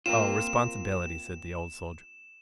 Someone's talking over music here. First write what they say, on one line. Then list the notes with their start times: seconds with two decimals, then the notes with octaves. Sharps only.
Responsibility!' said the Old Soldier.
0.06 A#3 C4 F4 E7